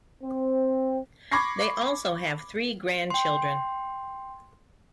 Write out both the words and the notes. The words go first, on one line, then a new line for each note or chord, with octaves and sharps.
They also have three grandchildren.
C4
B5 C#6 D6 G#6 A#6 C7
G5 C6